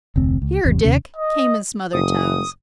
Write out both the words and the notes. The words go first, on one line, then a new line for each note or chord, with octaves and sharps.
"Here, Dick," came in smothered tones.
F1 D2 C4
C#2
G#1 E2 C3
D#2 C3 C#4
D#5
F#1 D#6